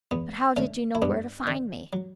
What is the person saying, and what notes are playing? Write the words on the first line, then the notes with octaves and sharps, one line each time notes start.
"But how did you know where to find me?"
E2 B3
D3 A3 C#4
E4
G2 B3 D4
D3
F#3